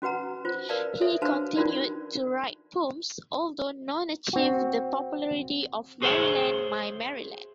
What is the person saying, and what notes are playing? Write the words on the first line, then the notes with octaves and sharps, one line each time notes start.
He continued to write poems, although none achieved the popularity of "Maryland, My Maryland".
C#4 F#4 B4 F#5 A#5
F4 C5
A#4 B4 D5 F5 A5
A4 C#5 E5
D4 F#4 B4 C5 F5 A5
C#4 D#4 F4 F#4 A#4 D5
C4 F#4
F#4 G#4 C5 C#5 E5 F#5